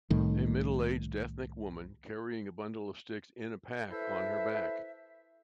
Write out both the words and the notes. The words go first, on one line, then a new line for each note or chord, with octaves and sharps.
A middleaged ethnic woman carrying a bundle of sticks in a pack on her back.
C2 A2 D#3
E4 A4 B4 C5 E5